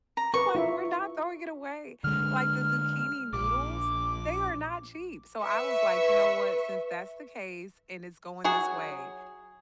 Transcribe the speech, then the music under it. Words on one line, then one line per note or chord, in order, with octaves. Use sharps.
like, we're not throwing it away, like, the zucchini noodles? They are not cheap, so I was like, "You know what? Since that's the case and it's going this way"
A#5
A#4 B4 C#6
E4 F4 E5
D3 G#3 F6
A#1 D6
B4 E5 C#6
F#3 F#4 G#4